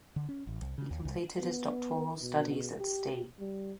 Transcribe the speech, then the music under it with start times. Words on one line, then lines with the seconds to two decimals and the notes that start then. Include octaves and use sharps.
He completed his doctoral studies at Ste.
0.16 D3
0.29 C#4
0.47 A1
0.62 C2
0.78 C#3
0.91 D#2
1.05 C2
1.41 B3
2.22 B2
2.79 G4
3.39 G3